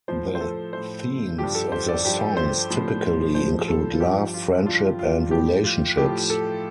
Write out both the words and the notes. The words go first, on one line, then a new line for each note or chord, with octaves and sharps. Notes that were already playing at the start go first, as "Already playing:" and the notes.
The themes of their songs typically include love, friendship and relationships.
A2 F3 C5
C5
A4
A2 F3 C5
G2 F3 G4
A4
C5
D5
G2 F3 G4
C5
A2 F3
A2 F3 C5
A4
F4
G2 F3 G4
F4
G2 F3 F4
F4
A2 F3 G4
F4
A2 F3 G4
A4